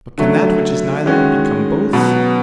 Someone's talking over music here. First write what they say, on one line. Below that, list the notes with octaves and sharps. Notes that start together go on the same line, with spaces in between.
But can that which is neither become both?
D3 F#3 A3
D#3 G#3 C#4 F#4
B2 F#3 B3